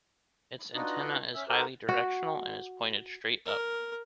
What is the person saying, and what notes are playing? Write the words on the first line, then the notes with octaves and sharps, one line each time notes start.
Its antenna is highly directional, and is pointed straight up.
D4 D#4 F4 F#4 B4 D#5
C#4 E5
D#4 F#4 G4 A4 A#4 C5
F#4
A#4